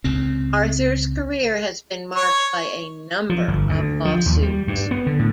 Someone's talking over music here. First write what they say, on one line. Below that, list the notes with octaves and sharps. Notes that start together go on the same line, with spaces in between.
Arthur's career has been marked by a number of lawsuits.
C#2 C#3 C4
C#5
F3
G1
D2
F3
D#2
G3
G2
B3
D3
A2